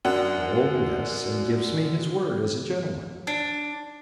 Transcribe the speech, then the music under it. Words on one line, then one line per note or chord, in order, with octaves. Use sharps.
"Oh, yes; and gives me his word as a gentleman."
F#2 D4 F#5
D4